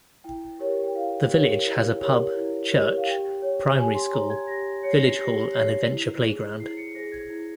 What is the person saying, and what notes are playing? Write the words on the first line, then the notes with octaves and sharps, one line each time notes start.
The village has a pub, church, primary school, village hall and adventure playground.
E4 G5
G4 A#4 C#5
G5
E4 F5
G4 A#4 C#5
E4
G4 A#4 C#5
E4
G4 A#4 C#5
F5
G4 G5
C#5
G4 G#5
C6
C#5 A#5
G#6
G4 A#6
C#5 C#7
C7
A#6
C7
G4 A#6
C#5 C7
E4
G#4 C5
E4 C7
C#7
G#4 C5 A#6
G#6
E4